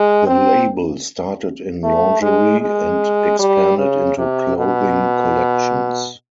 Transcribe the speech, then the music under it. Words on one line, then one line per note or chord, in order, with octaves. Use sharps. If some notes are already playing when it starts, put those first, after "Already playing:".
The label started in lingerie and expanded into clothing collections.
Already playing: G#3
C4
A3
G#3
G#3
G3
C#3
C3
B2